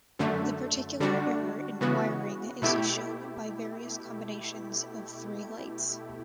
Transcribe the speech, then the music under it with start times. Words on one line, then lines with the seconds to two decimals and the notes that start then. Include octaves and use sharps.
The particular error in wiring is shown by various combinations of three lights.
0.19 F#2 D3 A3
1.00 D3 G3 D4 F#4
1.81 C#3 E3 B3 F#4
2.62 B2 A3 E4 G4